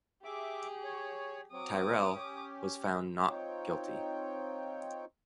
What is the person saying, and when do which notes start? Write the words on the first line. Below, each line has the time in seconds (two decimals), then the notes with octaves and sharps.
Tirrell was found not guilty.
0.24 G4 G#4 E5 D6
0.84 C#5
1.52 F#3 C4 D6 D#6
2.14 C#4 G4
3.27 C4 D#4 F4 C#5 G5